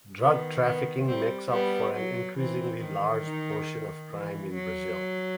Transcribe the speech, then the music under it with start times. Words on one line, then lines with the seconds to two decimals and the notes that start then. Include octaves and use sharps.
Drug trafficking makes up for an increasingly large portion of crime in Brazil.
0.21 D#3 B3
0.65 B3
1.08 G3 C4
1.51 G3 B3
1.95 F#3
2.38 E3 C4
2.82 D#3
3.25 D#4
4.11 E3
4.55 F#3